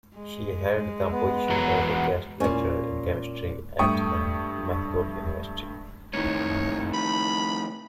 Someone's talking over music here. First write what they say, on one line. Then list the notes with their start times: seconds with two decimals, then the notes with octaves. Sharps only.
She held the position of a guest lecturer in chemistry at the Mahidol University.
0.15 G#3
1.12 B3
1.49 E2 F#4 A#5
2.40 A#2 C#4
3.79 G2 A3 G5 C#6 D#6
6.14 A2 D#3 C#5
6.94 B5